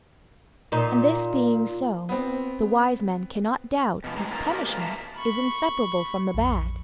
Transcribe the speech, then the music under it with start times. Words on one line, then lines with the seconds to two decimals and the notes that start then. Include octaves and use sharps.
And this being so, the wise man cannot doubt that punishment is inseparable from the bad.
0.72 A#2 D#4
2.09 B3 C4
4.04 B2 F3
4.16 A2 G#3 A#5
4.33 B2 A#3 C#4 D#4 F4 A#5
4.50 A3 F#4 G4 A#4 D#5
4.67 G#2 A#3 F4
4.80 E2 E5 F5 A5 A#5
5.17 B5 C#6
6.34 A#1 F2